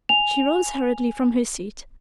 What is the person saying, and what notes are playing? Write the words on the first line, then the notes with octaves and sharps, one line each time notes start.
She rose hurriedly from her seat.
G#5 F7